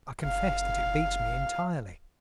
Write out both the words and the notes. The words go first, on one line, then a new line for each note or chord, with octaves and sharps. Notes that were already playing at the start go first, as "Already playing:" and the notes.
I confess that it beats me entirely.
F#1 F5